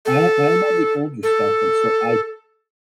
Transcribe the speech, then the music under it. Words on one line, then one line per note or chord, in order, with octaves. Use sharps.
I I am on the older spectrum, so I
A4
A4